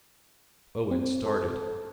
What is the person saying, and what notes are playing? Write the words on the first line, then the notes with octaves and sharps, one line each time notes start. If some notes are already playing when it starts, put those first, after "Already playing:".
Owen started.
C4
A4